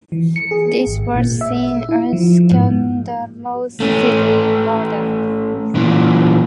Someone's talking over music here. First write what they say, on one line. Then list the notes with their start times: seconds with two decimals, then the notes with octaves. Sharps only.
This was seen as scandalously modern.
0.12 E3
0.36 C#7
0.51 G#4
0.87 G#1
1.16 A#2
1.41 E5
1.89 E4
2.13 F3
2.51 G#2
3.80 A3 C#4
5.75 A#2 E3